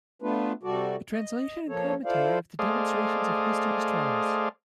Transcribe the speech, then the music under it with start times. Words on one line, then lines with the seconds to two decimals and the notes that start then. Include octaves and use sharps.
A Translation and Commentary of the Demonstrations of Histories, trans.
0.22 A3 B3 D4 F4 B4
0.63 C3 G3 F#4 A4 D5
1.12 D#5
1.68 F3 A#3 A4 C#5
2.05 E4 F4 A4 C5 D5 F5
2.59 A3 G#4 C5 D5 D#5 F5